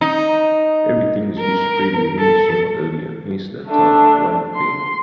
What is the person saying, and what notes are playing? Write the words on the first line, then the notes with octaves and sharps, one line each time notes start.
Everything is displayed within a single area, hence the term "one pane".
D#4
A#4
A4
A3 D4
C6